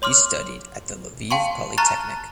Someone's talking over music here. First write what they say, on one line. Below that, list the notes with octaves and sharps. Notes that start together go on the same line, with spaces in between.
He studied at the Lviv Polytechnic.
C#5 C6 D6 F6
F5 G5 A5 C6 C#6
A5 A#5 C#6 F6 F#6 A6